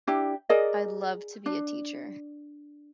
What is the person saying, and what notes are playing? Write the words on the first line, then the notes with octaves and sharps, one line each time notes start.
I’d love to be a teacher.
D4 E4 G4
G#4 A#4 D5 D#5
D4